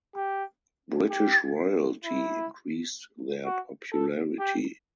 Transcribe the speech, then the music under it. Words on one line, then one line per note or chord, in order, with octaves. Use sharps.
British royalty increased their popularity.
G4
G4
E4
F#4
A4
G4